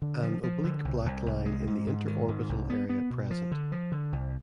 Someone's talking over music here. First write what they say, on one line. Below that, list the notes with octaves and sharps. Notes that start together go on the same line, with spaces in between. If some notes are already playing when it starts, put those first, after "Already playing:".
An oblique black line in the interorbital area present.
D3
F3
F3
D3
C2
C2
C2
G#3
G#2
G#2
D#3
G#2
C2
B3
B3
B2
F3
D3
F3
D3
C2